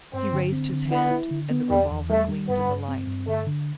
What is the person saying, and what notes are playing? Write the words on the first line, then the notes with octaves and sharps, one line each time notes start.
He raised his hand and the revolver gleamed in the light.
G2 C4
D3
C4
D3
B3 E4
E4
D3
B3
E2 G3
E2
G3 A3
G3
G2 B3
G2
C4
G2
D3 A3
D3